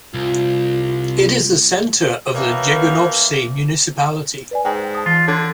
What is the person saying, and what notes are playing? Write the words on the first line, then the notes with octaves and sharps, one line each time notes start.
It is the center of the Jegunovce municipality.
C2 F4
B2 D#3 E3 A#3 C#5
B4 D5 G#5
G#2 G5
A5 D#6
E3 F4
D3 C#5 C6 G#6